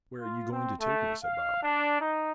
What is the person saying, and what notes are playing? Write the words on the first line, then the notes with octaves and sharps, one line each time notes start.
'Where are you going to take me?' said Bob.
F4
C4
A3
F5
D4
D#4